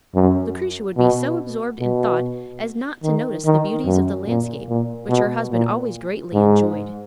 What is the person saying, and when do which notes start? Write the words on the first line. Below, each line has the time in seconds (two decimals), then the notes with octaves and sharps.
Lucretia would be so absorbed in thought as not to notice the beauties of the landscape, which her husband always greatly enjoyed.
0.15 F#2
0.97 B2
1.80 B2
3.04 D#3
3.45 D#3
3.85 F#2
4.27 A#2
4.68 A#2
5.09 B2
5.51 A#2
6.34 G#2